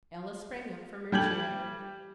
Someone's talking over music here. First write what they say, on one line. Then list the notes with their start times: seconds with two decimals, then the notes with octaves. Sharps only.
Ella sprang up from her chair.
1.12 G3 G5 G6 G#6 F#7